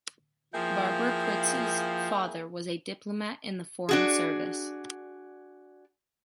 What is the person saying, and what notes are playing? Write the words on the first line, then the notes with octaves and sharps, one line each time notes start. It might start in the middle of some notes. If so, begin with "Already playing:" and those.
Barbara Pritz’s father was a diplomat in the foreign service.
F3 A#3 E4 G#4 G5
D4 F#4 G#4